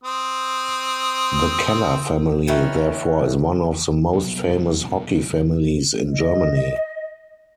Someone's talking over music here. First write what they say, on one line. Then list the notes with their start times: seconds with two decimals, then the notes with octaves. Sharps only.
The Keller family therefore is one of the most famous hockey families in Germany.
0.04 C4 D#6
2.47 D#3 E3 C#4
4.13 D#1 C2 B2 F#3
6.12 D#5